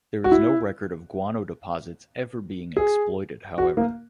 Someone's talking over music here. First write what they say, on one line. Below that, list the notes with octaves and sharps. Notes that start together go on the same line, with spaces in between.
There is no record of guano deposits ever being exploited, however.
F#4
E4
G#4
F#4
A#3